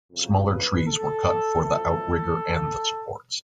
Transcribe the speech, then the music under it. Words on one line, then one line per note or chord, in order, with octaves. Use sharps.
Smaller trees were cut for the outrigger and the supports.
F2 C#3 F#3
B4
A4
F#2 F3 A3 A4